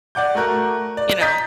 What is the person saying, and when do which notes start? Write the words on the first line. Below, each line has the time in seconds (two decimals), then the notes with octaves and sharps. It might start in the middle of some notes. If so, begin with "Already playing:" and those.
you know?
0.15 D5 F#5 D6 G6
0.35 A3 F#4 A#4 F#6
0.97 D5
1.21 D#5 A#5 D#6 G6 A6 B6